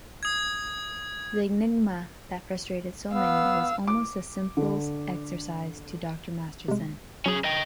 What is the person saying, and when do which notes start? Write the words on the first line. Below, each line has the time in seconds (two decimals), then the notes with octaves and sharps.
The enigma that frustrated so many was almost a simples exercise to Dr. Masterson.
0.23 D#6 G#6
3.13 B3 F5 E6
3.88 D6
4.57 D3
6.68 C3 G#3
7.26 F#3 C#4 G#4
7.44 D#5 G5